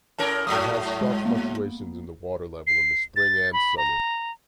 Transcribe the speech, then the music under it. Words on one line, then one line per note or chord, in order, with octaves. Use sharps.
It has sharp fluctuations in the water level in the spring and summer.
A2 C#4 A#4 A5
G#2 F#3 A3 D#6
G#3
A#3 B3
C7
A6
B5
A#5